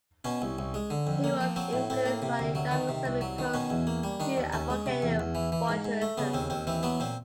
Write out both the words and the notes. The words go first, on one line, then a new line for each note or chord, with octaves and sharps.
He was influenced by the young Soviet poets who advocated Futurism.
B2 C#4
C2
C2
G#3
D3
F2
A#3
F3
F#3 C4
A2
A2 C4
A#3
C3
D2
F#3
D#3
C3
C2
F#3
D#3
B2 C#4
E2
A#3
G3
D#3 D4
D#2
D#2 C#4
G#3
C3
E2
E2
E3
E3
G#2
G#2
A3
C#3 B3
D#2 C4
D#2 C4
E3 C4
F#3 B3
A#2 C4